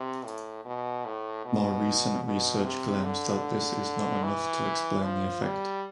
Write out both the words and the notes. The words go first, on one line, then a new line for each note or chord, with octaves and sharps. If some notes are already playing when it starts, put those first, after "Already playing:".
More recent research claims that this is not enough to explain the effect.
Already playing: C3
A2
B2
A2
B2
B2
C3
D3
E3
F3
G3